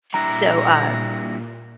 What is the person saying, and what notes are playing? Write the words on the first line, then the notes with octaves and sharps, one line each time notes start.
So, uh,
A#2 G3 D4 E4 A#5 A#6